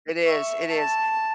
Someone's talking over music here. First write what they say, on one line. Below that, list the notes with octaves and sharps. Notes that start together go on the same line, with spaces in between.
It is, it is
E5 C#6
A5